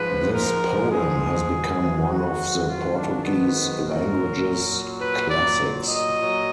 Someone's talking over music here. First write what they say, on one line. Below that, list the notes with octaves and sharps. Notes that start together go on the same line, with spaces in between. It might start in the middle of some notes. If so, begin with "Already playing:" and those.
This poem has become one of the Portuguese language's classics.
Already playing: G#2 F3 B4
A#4
G#4
G#2 D#3 F#3
F#4
F4
D4
B3
A#2 F#3 A#4
B4
D5
D#5
A#2 F#3